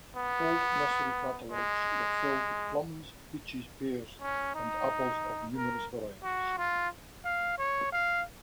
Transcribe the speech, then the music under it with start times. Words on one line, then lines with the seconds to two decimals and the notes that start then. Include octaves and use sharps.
Old nursery catalogues were filled with plums, peaches, pears and apples of numerous varieties.
0.16 B3
1.52 G#3
4.22 C#4
4.55 D#4
5.56 A#4
6.23 F#4
6.58 F4
7.25 F5
7.58 C#5
7.92 F5